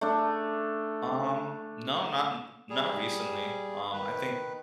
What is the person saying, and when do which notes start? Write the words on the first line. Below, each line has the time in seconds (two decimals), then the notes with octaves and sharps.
Um, no, not in not recently. Um, I think
0.01 A3 D4
2.70 G3 G#4
3.93 D#3 B4